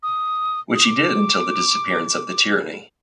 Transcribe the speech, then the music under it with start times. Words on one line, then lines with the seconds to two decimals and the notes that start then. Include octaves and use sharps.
Which he did until the disappearance of the tyranny.
0.03 D#6
0.75 D#6
0.84 D6